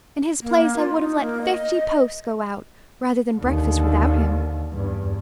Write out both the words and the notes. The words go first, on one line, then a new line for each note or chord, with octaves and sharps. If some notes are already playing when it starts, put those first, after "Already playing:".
In his place I would have let fifty posts go out rather than breakfast without him.
A#3
F4
D#4
A#3
D#5
D#2 D3
E2 G2